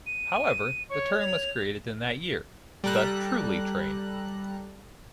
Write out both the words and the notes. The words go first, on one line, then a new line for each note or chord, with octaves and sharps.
However, a term was created in that year - the "Trulli Train".
D#7
C#5 C#6
F7
G3 A4 A#5 F#6